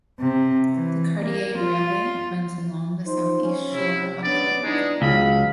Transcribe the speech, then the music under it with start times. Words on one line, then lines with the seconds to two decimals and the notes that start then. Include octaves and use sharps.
The Cartier Railway runs along the southeast shore of the lake.
0.20 C3
0.74 E3
1.19 A#3
1.58 F4
3.07 F3 D#4 C5
3.42 C#4
3.72 C3 E4
4.23 B3 C#4 D4 D5
4.63 E3 G#3 B3 D4 D#4
5.02 C#2 F#3 G#4 F5 B5